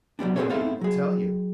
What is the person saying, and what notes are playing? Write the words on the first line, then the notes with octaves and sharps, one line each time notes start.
"Milady will tell you."
F#3 G3 B3 D4
B3 C4 F4 G#4 A4 C#5
B3 C4 D#4 E4 A4 F5
F#3 G#4